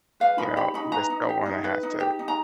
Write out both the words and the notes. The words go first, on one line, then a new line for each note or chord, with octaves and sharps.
you know, you just don't wanna have to
B4 F5
D#4 B5
G4 B5
D#4 B5
B4 A#5
D#4
G4
D#4
B4
D#4
G4
D#4
A#5